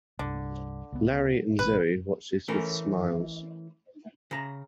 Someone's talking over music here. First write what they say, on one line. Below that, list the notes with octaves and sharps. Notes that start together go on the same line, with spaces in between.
Larry and Zoe watch this with smiles.
C2 G2 D3
C#2 B3
A1 B2 B4
E3 A3 C#4 A#4
C#3 A#5